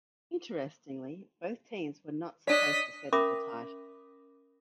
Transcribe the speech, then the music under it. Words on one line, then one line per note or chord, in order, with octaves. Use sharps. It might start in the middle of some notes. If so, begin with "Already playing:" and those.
Interestingly, both teams were not supposed to settle the title.
D4 C#5 D#5 B6
C#4 A#4 E5 B5 D6 D#6